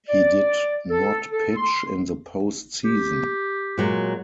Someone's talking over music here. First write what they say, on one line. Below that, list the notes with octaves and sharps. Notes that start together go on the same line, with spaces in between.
He did not pitch in the post season.
D5
A4
A4
C6
G4
A#2 F#3 G#3